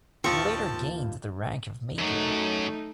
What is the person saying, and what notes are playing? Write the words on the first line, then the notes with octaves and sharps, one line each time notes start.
He later gained the rank of Major.
D#1 D#2 F3 C4 F4 A5 C#6
F#2 F#3 A3 D#4